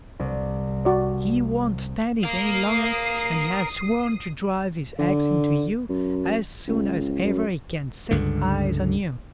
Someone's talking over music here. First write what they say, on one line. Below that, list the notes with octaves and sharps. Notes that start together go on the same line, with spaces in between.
He won't stand it any longer, and has sworn to drive his axe into you as soon as ever he can set eyes on you.'
C2
F#4 D5
A#4 F5 D#6 C7
D3
F#2
C#2
F#2
C#2 G2 D3